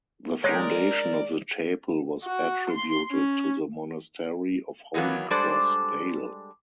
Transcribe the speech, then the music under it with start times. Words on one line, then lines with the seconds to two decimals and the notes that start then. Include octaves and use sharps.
The foundation of the chapel was attributed to the monastery of Holy Cross Vale.
0.44 G#3 D#4 G4 A#4 C#5 D5
2.24 F#4
2.70 C6
3.11 C#4
4.94 D#3 E3 F#3 A#3 B3
5.30 G3 G#3 D4 A4 C5 D5